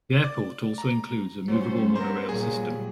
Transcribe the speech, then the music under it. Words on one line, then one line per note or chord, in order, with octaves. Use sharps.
The airport also includes a movable monorail system.
D5
A#5
F#3 G3 C#4 C5
B3 A#4 C5
A#2 F#3 G3 G#4